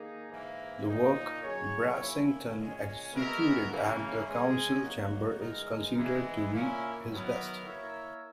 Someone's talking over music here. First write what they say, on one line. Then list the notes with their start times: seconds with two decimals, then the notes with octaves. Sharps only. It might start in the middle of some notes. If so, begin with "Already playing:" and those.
The work Brassington executed at the council chamber is considered to be his best.
Already playing: D#3 A#3 D#4 G#4
0.29 G#2 E3 A#3
0.86 A#2 A#3 D#4
1.43 F#3 C#4 G#4 C#5
2.00 D#3 A#3 C#4 E4
2.56 A#2 G#3 C#4
3.12 G#3 B3 F#4 A#4 E5
3.69 F#2 C#3 E3 A#3
4.26 C#3 G#3 C#4 G#4
4.83 F#3 A#3 D#4 F#4
5.39 E3 G#3 D#4 A#4
5.96 G#2 E3 G#3 B3 E4
6.53 A#2 A#3 C#4 E4
7.10 D#3 F#3 B3 E4 A#4
7.66 A#3 E4 A#4 C#5 E5